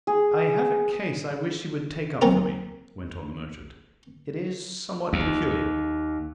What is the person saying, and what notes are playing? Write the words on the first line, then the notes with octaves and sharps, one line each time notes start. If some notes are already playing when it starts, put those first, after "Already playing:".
"I have a case I wish you would take up for me," went on the merchant. "It is somewhat peculiar."
G#4
D#3 F#3 G#3 A#3 C4 F4
D#2